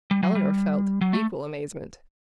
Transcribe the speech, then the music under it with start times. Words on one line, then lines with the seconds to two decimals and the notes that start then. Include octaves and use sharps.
Elinor felt equal amazement.
0.11 G3
0.23 F#3
0.35 G3
1.01 F#3
1.13 A3